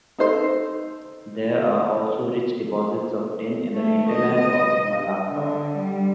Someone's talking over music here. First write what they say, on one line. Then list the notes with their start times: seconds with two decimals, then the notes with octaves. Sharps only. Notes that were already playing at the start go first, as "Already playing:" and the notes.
There are also rich deposits of tin in the hinterland of Malacca.
0.19 D#4 A4 C5 C6
3.74 A3
4.11 D#5
5.29 D3
5.77 G3